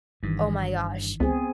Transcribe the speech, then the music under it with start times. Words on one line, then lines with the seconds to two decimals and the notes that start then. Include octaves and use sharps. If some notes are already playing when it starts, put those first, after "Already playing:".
Oh my gosh.
0.23 G1 G2 D#3 E3
1.20 C#2 B3 C4 G#4